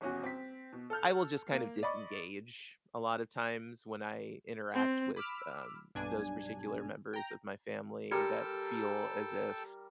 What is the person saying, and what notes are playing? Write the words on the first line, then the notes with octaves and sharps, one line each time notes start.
I will just kind of disengage a lotta times when I interact with, um, those particular members of my family that feel as if
D#1 E2 C#4 F#4 G#5
C4 B6
B2
A4 A5 F6 G6
A#3
D5 D#5 B5 C#6
C4
B5 D6 E6 F6
B1 G2 D4 G#5
G5 A#5
G3 G4 A4 A#4 G5 A5 A#5